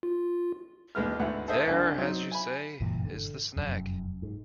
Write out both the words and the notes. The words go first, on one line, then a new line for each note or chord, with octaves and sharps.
There, as you say, is the snag.
F4
A1 D#2 G#3 B3 F6
D2 G#2 B3 E4 F#5
A4 C5 D#5 E5
C2 G2 D4
F#3 C4 D#4
G#5 B5
F#1 G2 A#2 E3
D3
F1 F#2
G#2